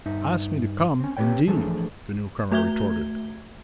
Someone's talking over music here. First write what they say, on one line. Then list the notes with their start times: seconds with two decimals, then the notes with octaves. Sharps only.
"Asked me to come, indeed!" the newcomer retorted.
0.06 G2 D#4 E5
1.00 C4 C#4
1.17 C4 G4 G#4 B4 C#5 G5
1.47 E3 F3 A3 D4 G#4 A4
2.51 A3 F#4 E5 G#6 G7